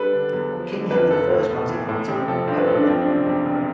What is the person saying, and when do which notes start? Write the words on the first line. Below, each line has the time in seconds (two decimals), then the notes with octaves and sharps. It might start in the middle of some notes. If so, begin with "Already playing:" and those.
King Henry the First granted the land to William Peveril.
Already playing: G3 D4 A4 B4
0.13 D3
0.33 E2
0.52 F3
0.71 D3
0.91 F2 B4
1.10 F1 A4
1.30 A2
1.50 B3
1.69 E3
1.89 A2
2.08 A1 G4
2.28 F3 A4
2.47 G2 C5
2.58 B4
2.67 A1 A4
2.77 D4
2.86 F3 C4
3.00 D4
3.07 C3
3.13 C4
3.26 E2
3.46 E1